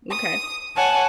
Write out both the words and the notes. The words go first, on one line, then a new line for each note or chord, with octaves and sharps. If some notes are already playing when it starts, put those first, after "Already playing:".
n okay.
D#6
C#5 F#5 G#5 A5